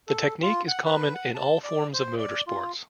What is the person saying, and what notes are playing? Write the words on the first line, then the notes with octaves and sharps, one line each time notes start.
The technique is common in all forms of motorsports.
A4
F4
F#5
B4
F#5
A5
D5
C5
D5
F4